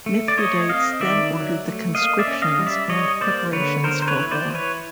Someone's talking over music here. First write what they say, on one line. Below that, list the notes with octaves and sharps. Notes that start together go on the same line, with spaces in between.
Mithridates then ordered the conscriptions and preparations for war.
A3
D5
A3 C#5 D#5
C4 D#5 F5
D#3 D5 E5
F#3
A3
A#3 D#5 F5
D5 E5
C#4
D#5 F5
G3
D5 E5
G3 C#5 D#5
A#3 C5 D5
D3 B4 C#5
B3 A#4 C5
C5
B4 C#5
E3
C5 D5
E3
B4 C#5